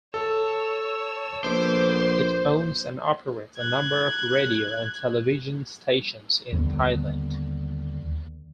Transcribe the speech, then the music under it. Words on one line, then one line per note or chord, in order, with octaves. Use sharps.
It owns and operates a number of radio and television stations in Thailand.
A4 C#5 E6
A#1 B3 C5 D6
F#6 G#6
D#2 D3 G3 B3